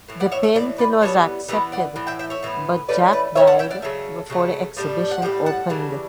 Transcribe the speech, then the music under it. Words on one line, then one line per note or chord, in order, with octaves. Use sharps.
The painting was accepted but Jack died before the exhibition opened.
A2 E3
D5 F#5
C#5 E5
C#5 E5
A2 E3 D5
B4 D5
E3 G3 B3 A4 C#5
E3 G3 B3 G4 B4
D5 F#5
A2 E3
E5 G5
E5 G5
C#5 E5
A2 E3 B3
E3 A3 C#4 B4 D5
B4 D5
E3 A3 C#4 C#5 E5
F#5 A5
E5 G5
D5 F#5
C#3 F#3 A3 E5
C#3 F#3 A3
A2 G3 D4
F#5
A2 G3 D4 G5
F#5 A5
C#3 E3 G3 D4